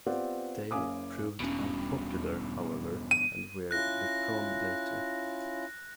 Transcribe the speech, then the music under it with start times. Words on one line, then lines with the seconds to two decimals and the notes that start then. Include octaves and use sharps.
They proved unpopular, however, and were withdrawn later.
0.06 B3 C4 F4 G4 D5 F#5
0.71 F#1 C#4 F5 G#5 D6 D#6
1.40 E1 G2 B2 C#4
3.11 D#7
3.71 C#4 E4 F4 F#6 A#6